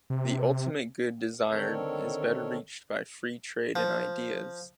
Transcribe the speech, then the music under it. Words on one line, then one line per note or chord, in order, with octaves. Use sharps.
The ultimate good desired is better reached by free trade in ideas.
C3
D3 D#3 C4 A4 A#4 C#5
F3